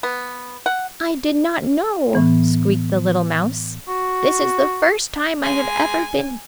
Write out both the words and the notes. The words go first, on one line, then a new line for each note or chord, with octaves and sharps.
"I did not know!" squeaked the little mouse, "This is the first time I have ever been here!"
B3
F#5
A2 E3 B3
F#4
G#3 G#5